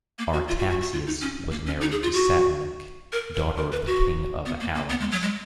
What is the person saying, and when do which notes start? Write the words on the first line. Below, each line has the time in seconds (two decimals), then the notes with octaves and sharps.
Artaxias was married to Satenik, daughter of the king of Alans.
0.18 A#3
0.33 F#4
0.48 F4
0.59 F#4
0.70 F#4
0.81 F#4
0.92 F4
1.07 D#4
1.21 C#4
1.51 A#3
1.66 C#4
1.81 D#4
1.91 G#4
2.03 F4
2.14 F#4
3.12 A#4
3.35 A#4
3.57 A#4
3.72 B4
3.86 F#4
4.46 B3
4.60 A#3
4.75 A#3
4.90 B3
5.00 G#3
5.12 F#3
5.22 G#3